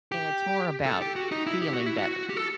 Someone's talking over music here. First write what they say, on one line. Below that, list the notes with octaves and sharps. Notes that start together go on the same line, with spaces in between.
And it's more about feeling better.
G4
A4
G4
F#4
D#4
E4
G4
F#4
E4
F#4
G4
A4